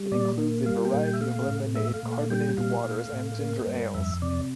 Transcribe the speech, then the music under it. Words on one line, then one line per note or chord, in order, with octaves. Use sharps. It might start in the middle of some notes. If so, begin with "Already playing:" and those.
It includes a variety of lemonade, carbonated waters and ginger ales.
Already playing: G3
A#2 D5
A#3
G3 F5
G5
A#2
G5
E5
A3 F5
A2
A3 E5
F5
A#2
F5
G3 G5
A#2 F5
A3
A2
A#3
G2
F2 E5
C3 D5